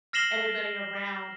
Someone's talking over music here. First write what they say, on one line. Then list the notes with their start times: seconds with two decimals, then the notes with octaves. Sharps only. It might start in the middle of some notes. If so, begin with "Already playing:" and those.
everybody around,
0.13 F6 A#6 C7 E7 F#7 G7